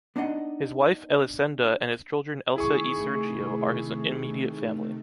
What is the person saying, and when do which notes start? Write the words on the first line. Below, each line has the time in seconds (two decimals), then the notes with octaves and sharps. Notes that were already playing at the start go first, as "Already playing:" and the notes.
His wife Elisenda and his children Elsa y Sergio are his immediate family.
0.16 B3 D4 D#4 D#5 F#5
2.56 C3 D#3 A3 E4 G#4 C#6